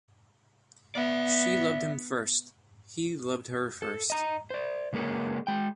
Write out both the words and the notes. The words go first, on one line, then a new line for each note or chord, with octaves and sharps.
She loved him first; he loved her first.
B3 D5 E5
A4
D#5 A#5
C5 D5
C#3 G#3 A#3 A#4 C#5
G#3 G5